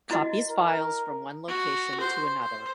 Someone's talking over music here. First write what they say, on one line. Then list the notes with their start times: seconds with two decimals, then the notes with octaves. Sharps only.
Copies files from one location to another.
0.11 E4 F#4 D#5
0.50 A#4
1.48 F#4
2.01 C5
2.41 C5